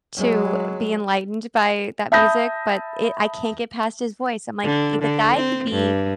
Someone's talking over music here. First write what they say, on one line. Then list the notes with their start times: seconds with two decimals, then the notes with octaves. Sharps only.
to be enlightened by that music, but it I can't get past his voice. I'm, like, "The guy could be
0.16 F#3 G#3
2.12 E5 A5 B5 D#6 G6 A#6
4.64 D3
5.02 D3
5.36 C4
5.71 G2